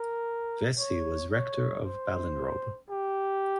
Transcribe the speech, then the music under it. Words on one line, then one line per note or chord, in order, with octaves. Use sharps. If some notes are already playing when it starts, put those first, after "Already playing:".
Vesey was Rector of Ballinrobe.
Already playing: A#4
C#5
C#5
C5
G4